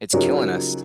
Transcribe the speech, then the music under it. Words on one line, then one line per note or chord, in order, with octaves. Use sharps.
It's killing us.
C#3 F3 F#3 D#4 G4 A#4